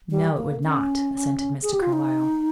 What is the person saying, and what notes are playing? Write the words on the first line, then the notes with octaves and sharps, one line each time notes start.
"No, it would not," assented Mr. Carlyle.
G3
A#3
C#4
G#4
G4
F4
D#4